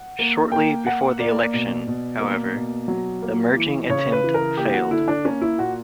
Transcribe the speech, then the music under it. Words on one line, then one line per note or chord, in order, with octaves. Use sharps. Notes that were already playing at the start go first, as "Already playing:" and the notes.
Shortly before the election, however, the merging attempt failed.
Already playing: F#5
A#3
A#3 G5
A#3 F#5
A#3 D5
B2
B2
A#3
B2
F#3
A#3
E3
C#3 C#5
B4
E3
A#4
A#3 G4
F#4
D3 E4
D4
A#3 C#4
E4
A#2 F#4